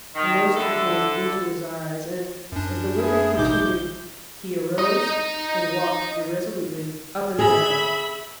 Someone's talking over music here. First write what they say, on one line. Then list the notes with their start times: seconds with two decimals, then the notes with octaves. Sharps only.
A moisture came into his eyes, and, as the whipping continued, he arose and walked irresolutely up and down.
0.15 D#3
0.54 D3 E4 A4
2.52 F#2 D4
2.98 E4 G#4
3.38 A1 B2 D#4 D6 G6
4.78 D#4 D#5
7.39 G#4 E5 B5